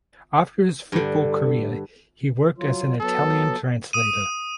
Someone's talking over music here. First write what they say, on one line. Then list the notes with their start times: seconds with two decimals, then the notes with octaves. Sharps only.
After his football career he worked as an Italian translator.
0.92 G2 D3
2.58 F#3 F4
3.00 F#3 B3 A4
3.93 D#6 D#7